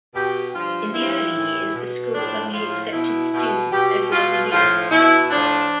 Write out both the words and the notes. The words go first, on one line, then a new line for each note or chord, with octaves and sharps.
In the early years, the school only accepted students every other year.
B2 G4
G2 F3 F4
G2 F3 E4
A2 E3
B2
A2 F3 D4
A2 F3 F4
B2 E4
B2
B2 G4
B2 F4
A2 F3 F4
B2 E4
A2 F3 D4